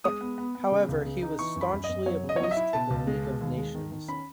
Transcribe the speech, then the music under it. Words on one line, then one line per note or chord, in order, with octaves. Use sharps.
However, he was staunchly opposed to the League of Nations.
G#3 D#6
B3
B3
B3
C#3
C#2
C#3
D#4
E3 C#6
F#2
B5
F#2
D#5
F#2
F#3 C#5
C#3
D#5
C#5
F#3 D#5
E5
E4
B2 A5
C#2
G#3
B2
D#2
G#3
D#3
D#3
C#4 B5